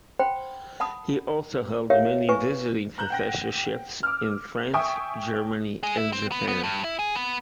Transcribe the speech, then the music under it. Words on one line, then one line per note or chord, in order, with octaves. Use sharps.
He also held many visiting professorships in France, Germany and Japan.
C5 F#5 G5 B5 C6
F#5 A5 B5 D#6
E4 G4 A#4 C#5 E5 F5
E4 B4 G#5 C#6
A#5 F#6 G6 E7
F#5 G5 A#6
D6 E6 F6
E5 G5 G#5 C#6 D#6
G#3
E4
C4
B3
B3
G2
E4
G#4
B3